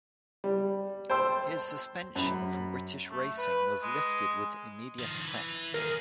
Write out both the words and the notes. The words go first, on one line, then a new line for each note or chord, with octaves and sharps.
His suspension from British racing was lifted with immediate effect.
G3
C5 G5 A5 C6 E6
F#2 B5
A3
B4
G#3
D#3 F3
E3
D#2 G#4 A#4